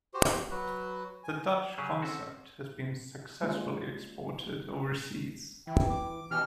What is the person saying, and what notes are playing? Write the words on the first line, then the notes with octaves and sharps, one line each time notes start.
The Dutch concept has been successfully exported overseas.
F#4 G4 C5
F#3 F#4 B4
G#5
C#3 F#3 C#4 G4 G#4
C4 C#4 F#4 A4
G3 G#3 A#3 C#4 F4
E3 E4 G5
D6
B2 E3 C#4 D#4 G4 F6